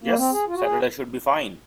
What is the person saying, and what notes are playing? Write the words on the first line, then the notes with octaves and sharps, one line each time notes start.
Yes, Saturday should be fine.
A#3
C4
G#4
F4
F#4
G#4